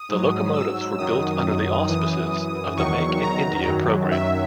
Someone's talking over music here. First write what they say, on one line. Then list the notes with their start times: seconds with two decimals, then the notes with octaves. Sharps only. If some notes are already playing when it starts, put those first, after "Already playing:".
The locomotives were built under the auspices of the Make in India program.
Already playing: D#6
0.09 G#2 F#3
0.54 E6
0.98 F#2 D#3 F#3 D#6
1.87 F#2 E3 D#6
2.77 E2 D#3 F#3 C#6
3.22 A#5
3.66 F#2 D#3 F#3
4.11 E5